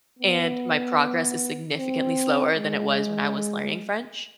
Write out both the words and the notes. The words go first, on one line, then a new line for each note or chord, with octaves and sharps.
and my progress is significantly slower than it was when I was learning French.
B3
C4
G#3